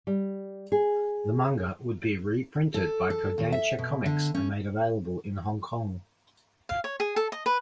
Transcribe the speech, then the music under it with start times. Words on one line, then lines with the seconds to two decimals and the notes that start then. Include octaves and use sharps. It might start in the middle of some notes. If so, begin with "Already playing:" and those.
The manga would be reprinted by Kodansha comics, and made available in Hong Kong.
0.07 G3
0.72 G#4
2.74 A4
3.10 A4
3.38 D#2
3.52 E5
3.79 B2
4.06 D3
4.35 C#4
6.69 F5
6.84 C#5
7.00 G#4
7.16 A4
7.32 D#5
7.46 B4